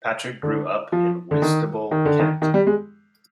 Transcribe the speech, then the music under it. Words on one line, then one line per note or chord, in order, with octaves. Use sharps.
Patrick grew up in Whitstable, Kent.
D3
F3
D3
D#3
D#3
D3
D#3
D#3
G3
G#3